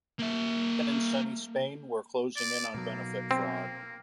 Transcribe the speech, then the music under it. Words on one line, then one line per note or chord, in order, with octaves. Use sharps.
Even in sunny Spain, we're closing in on benefit fraud.
A#3 E5
D5
B2 F#3 A#3
C4